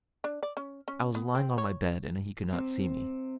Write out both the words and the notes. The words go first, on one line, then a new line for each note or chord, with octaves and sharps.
I was lying on my bed, and he could not see me.
D4
D5
C#4
C#4
B3
C4
C#5
C3 C4